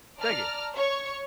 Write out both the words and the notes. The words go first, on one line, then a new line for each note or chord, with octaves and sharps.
Thank you.
D5 A5 A#5 F6
C#5 C#6